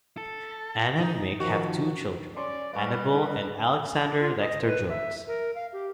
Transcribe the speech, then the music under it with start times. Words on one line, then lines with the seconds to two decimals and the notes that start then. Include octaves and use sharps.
Ann and Mick have two children, Annabelle and Alexander Dexter-Jones.
0.17 A4
0.99 D#4
1.40 D#3 F3 F#4
2.37 C#4 D5 C6
2.73 G3 B4 D#5 F5 C#6
3.13 D4
4.04 D4
4.20 F4
4.40 D#5
4.66 B4
4.89 E5
5.27 A#4
5.55 F5
5.72 G4